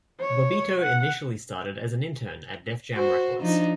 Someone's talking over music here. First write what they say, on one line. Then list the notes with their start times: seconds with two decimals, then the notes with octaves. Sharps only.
Bobbito initially started as an intern at Def Jam Records.
0.21 C#5
0.82 F#5
2.94 F#4 C5
3.41 F3 D4 D#4